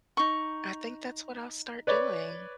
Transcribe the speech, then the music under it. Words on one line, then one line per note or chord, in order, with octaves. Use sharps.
I think that's what I'll start doing.
D#4 C#6
B4 C#5 D5